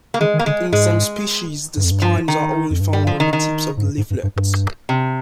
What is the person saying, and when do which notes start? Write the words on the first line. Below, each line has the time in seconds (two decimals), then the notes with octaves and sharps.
In some species the spines are only found on the tips of the leaflets.
0.14 A#3
0.20 D#3 G#3
0.34 D#3
0.39 A#3
0.46 D3 G#3
0.72 G#2 G#3
1.77 G2
1.84 F2
1.91 G2
2.02 F3
2.28 D#3
2.70 F2
2.80 G2
2.93 G3
3.07 F3
3.20 D#3
3.33 D#3
3.77 G#2
3.84 G2
3.97 G#2
4.10 G2
4.23 G2
4.36 G2
4.89 C3